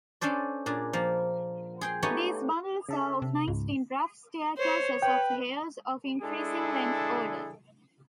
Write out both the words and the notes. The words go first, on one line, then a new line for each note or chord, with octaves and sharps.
These bundles are organized in rough "staircases" of hairs of increasing length order.
C#4 D4 A4 C5 D5
A#2 D4 G#4
F3 A#3
G#4 G5 C6
A3 B3 D#4 G4 C#5 G#5
C#3 A4 E5
C3
C#2 G#2
C5 C#5
B4 G5
G#3 D4 E4 G#4 A4